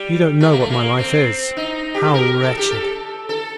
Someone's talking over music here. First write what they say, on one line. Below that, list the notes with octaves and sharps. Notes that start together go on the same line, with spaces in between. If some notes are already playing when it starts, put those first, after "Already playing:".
You don't know what my life is,--how wretched.
Already playing: G3
A3
A#3
A3
A#3
C4
D#4
G4
A4
A#4
A4
G4
A4
A4